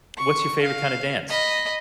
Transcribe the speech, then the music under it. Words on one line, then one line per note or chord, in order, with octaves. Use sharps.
what's your favorite kind of dance?
C#6
F5
D#5 B5